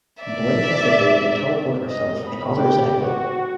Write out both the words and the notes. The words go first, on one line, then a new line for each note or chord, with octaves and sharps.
Blink has the ability to teleport herself and others at will.
D5 E5
D#5
B5
G4
F#4